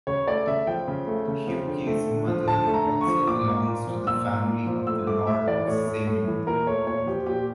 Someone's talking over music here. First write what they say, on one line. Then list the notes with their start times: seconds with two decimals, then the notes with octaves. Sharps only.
Hugues’ mother also belongs to the family of the lords of Semur.
0.07 C#3 C#5
0.28 A3 D5
0.47 C#3 E5
0.67 F3 G5
0.88 C#3
1.07 A3
1.28 C#3
1.47 F3
1.67 D3
1.87 A3
2.07 D3
2.27 F3
2.47 D3 A5
2.67 A3
2.74 A#5
2.87 D3
3.01 C#6
3.07 F3
3.27 A#2 D6
3.47 A#3
3.67 A#2
3.87 F3
4.07 A#2 E6
4.27 A#3
4.47 A#2
4.67 F3
4.87 A2 E6
5.07 A3 D6
5.27 A2 E5
5.47 E3 D5
5.67 A2 C#5
5.87 A3
6.07 A2
6.28 E3
6.47 A#2 A#4
6.67 A3 C#5
6.87 A#2 C#5
7.06 F3 G4
7.26 A#2 G4